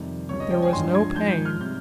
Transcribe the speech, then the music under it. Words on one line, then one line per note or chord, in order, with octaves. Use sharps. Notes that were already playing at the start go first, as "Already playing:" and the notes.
There was no pain.
Already playing: F2 C3 D#3 G3
C#2 C#3 G3 C#5
D#5
G5
G#5
G2 F3 G#3 C6
G#6
G#2 F3 G#3 G6
G6
F6
C3 G3 G6